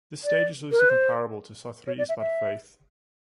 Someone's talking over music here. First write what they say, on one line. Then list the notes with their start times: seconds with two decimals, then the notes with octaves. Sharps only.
This stage is loosely comparable to Sartre's bad faith.
0.24 D5
0.71 A#4
0.80 B4
0.89 C5
1.87 C#5
1.98 D5
2.09 E5
2.20 E5